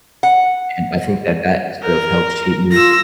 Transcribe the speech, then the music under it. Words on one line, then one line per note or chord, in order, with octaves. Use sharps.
and I think that that sort of helped shape me in
F#5
A#4
F4 E6 A#6